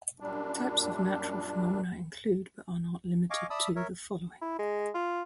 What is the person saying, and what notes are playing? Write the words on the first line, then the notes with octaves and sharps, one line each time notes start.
Types of natural phenomena include, but are not limited to, the following.
F#2 A#2 G3 D4
D#5 F5 G#5 C#6 D6
D5 E5 A5 B5 D#6 E6
A#4 C#5 E5
E4
G#3
F4